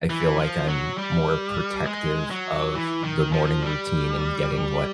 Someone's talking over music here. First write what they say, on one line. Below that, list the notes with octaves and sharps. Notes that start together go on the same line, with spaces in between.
I feel like I'm more protective of the morning routine and getting what
E3
F3
F#3
G3
G#3
F#3
E3
D#3
F3
G3